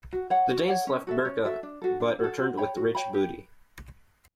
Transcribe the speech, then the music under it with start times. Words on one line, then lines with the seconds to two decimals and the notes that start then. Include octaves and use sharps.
The Danes left Birka but returned with rich booty.
0.13 F#4
0.30 C#5 F#5
0.50 F#4
0.68 C#5 F#5
0.87 C#4
1.07 F#4 A4 E5
1.25 C#4
1.45 F#4 A4 E5
1.63 D4
1.82 F#4 A4
2.00 D4
2.19 F#4 A4
2.39 F#4
2.57 C#5 G5 B5
2.77 F#4
2.95 C#5 G5 B5
3.14 G4